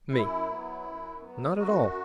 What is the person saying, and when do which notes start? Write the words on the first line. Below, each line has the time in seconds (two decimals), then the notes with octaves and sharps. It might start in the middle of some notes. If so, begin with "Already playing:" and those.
ME: Not at all.
0.10 F#2 E4
0.47 F#3 B3
0.84 F#2
1.21 F#3 B3
1.58 F#2 F#4